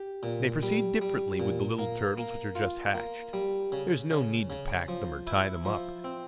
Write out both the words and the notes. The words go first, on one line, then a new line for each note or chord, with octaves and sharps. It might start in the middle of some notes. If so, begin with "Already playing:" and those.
They proceed differently with the little turtles which are just hatched. There is no need to pack them or tie them up.
Already playing: G4
A#2
G3
G3
A#2
A#3
A#3
F4
A#3
G3
C#3
C#3
C#3
F3
E4
F3
C4